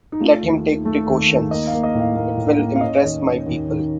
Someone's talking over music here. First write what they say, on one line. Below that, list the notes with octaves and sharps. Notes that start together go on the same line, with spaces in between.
Let him take precautions; it will impress my people.
D#4
A3 F4
D#2
D#3
A3
D#2
D#2
A#3 D#5
F5
A#3
D#5
A2 F5
A#3
A2
A#3
F5
C#4 D#5
D#2
C#4
D#2
D#3